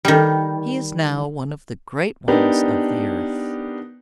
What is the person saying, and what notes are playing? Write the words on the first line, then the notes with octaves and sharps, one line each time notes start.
He is now one of the great ones of the earth.
D#3 G3
B3 D4 D#4 G4 A#4